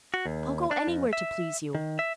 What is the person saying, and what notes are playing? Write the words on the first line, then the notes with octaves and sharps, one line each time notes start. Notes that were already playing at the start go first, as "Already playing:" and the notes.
I'll go anywhere to please you.
F#4
D#2
D4
F2
E5
D#3
E5